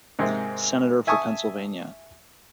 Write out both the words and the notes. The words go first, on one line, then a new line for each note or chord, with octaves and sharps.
Senator for Pennsylvania.
G#2 C3 G#3 A#3 C4
E5 G#5 A5 C#6 D#6